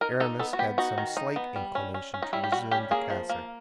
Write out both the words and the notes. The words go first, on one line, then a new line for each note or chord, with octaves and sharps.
Aramis had some slight inclination to resume the cassock.
D#4 A#4
D#4 A4
B3 A4
F#4
B3 G4
D#4 F#4
D#3
D#4
B3
G3
C#4
C#4
C#4
D#4
G3 E4
G4
G3 F#4
C#4 G4
A#3 G#4
F3
A#3